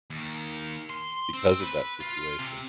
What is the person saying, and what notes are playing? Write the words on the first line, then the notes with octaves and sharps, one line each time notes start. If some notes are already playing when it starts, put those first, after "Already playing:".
because of that situation.
D#2
C6
C4
B4
F4
C3